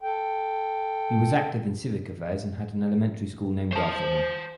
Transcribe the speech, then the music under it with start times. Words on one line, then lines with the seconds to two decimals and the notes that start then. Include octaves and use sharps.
He was active in civic affairs and had an elementary school named after him.
0.01 A4 G5
3.73 C5 A5